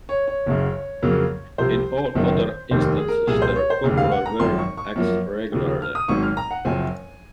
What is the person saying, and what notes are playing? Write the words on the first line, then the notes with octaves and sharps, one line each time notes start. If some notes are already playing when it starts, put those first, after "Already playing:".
In all other instances the copular verb acts regularly.
C#5
C#5
F#1 F#2 C#3
F2 C#3 F#3 A#3
C2 C3 F3 C5
F#1 F#2 D#3 F#3 C4
F1 D#2 D#3 C5
G#4
A#4
C2 A#2 F3 G#4
C5
C#5
C5
F1 D#2 C#3
F5
F#5
A#5
G#1 F#2 F3 C4 C6
C#6
C#6
F#2 F3 A#3
D#2 C#3 F3
F6
D#6
G#1 G#2 F#3 C4 C#6
F6
A#5
F#5
F#1 F#2 F3 C4 G#5